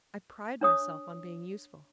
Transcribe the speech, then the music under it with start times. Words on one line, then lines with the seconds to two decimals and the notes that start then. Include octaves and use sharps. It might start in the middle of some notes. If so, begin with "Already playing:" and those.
I pride myself on being useful.
0.61 D4 C#5 D#6